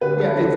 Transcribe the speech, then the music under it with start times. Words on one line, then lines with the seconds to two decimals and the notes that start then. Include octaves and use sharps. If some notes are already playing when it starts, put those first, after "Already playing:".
Yeah. It's
0.01 D2 G4 B4
0.18 A4
0.34 D3 A4